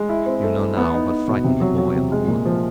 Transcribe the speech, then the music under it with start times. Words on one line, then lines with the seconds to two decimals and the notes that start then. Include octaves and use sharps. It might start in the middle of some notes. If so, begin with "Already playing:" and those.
You know now what frightened the boy in the wood.
Already playing: G#3
0.09 E4
0.26 C4
0.43 A3
0.60 E4
0.77 B3
0.94 D#4
1.10 D#4
1.28 B2
1.44 C3
1.61 F#3
1.78 F#3
1.95 C3
2.12 G#3
2.28 A#2
2.45 F3